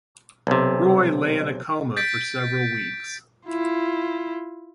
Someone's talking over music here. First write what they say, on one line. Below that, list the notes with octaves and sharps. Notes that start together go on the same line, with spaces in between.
Roy lay in a coma for several weeks.
B1 C3
G6 A6 B6 D7
E4 F4